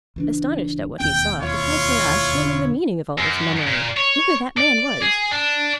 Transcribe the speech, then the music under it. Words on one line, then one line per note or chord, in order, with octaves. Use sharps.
Astonished at what he saw, the Councillor asked what was the meaning of all this mummery, and who that man was.
C#2 E3 D4
E1 D#2 C4 G5
E4 F4 C#5
E1 D3
F#2
A#2
C#5
D5
G#4
D4